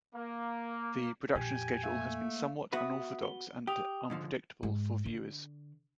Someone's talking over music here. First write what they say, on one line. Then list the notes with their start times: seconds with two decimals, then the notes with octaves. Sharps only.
The production schedule has been somewhat unorthodox and unpredictable for viewers.
0.15 A#3
1.35 F2 A#2 G4 G#5
1.84 A3 A#3
2.73 B3 F#4 B4 E5 D#6
3.22 G7
3.67 G4 D#6 F7
4.10 G#2 D3 F3
4.63 G#2
5.06 D3